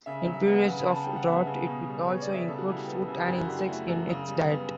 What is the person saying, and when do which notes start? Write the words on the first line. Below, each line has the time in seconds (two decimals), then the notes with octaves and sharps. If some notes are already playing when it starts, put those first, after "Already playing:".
In periods of drought, it will also include fruit and insects in its diet.
0.06 C#3 E5
0.21 E5
0.27 F#3
0.33 E5
0.47 B3 F#5
0.67 C#3
0.81 B5
0.88 C#3 A5
1.04 G3 G5
1.16 F#5
1.27 B3 E5
1.47 C#3
1.67 B2
1.87 G3
2.08 B3 C#5
2.22 D5
2.28 B2
2.34 E5
2.48 C#3 A4
2.58 F#4
2.68 G3 E4
2.78 G4
2.88 B3 A4
3.08 C#3 A4
3.17 G4
3.28 F#2 F#4
3.35 E4
3.38 F#4
3.48 D3 G4
3.59 F#4
3.68 A3 E4
3.88 F#2 F#4
4.09 C#3
4.28 G3
4.49 B3